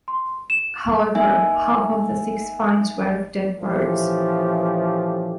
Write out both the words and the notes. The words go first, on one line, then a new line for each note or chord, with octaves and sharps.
However, half of the six finds were of dead birds.
C6
E7
A#3 D#4 E5 G#5
A#2 E3 F3 A3 C#4 G4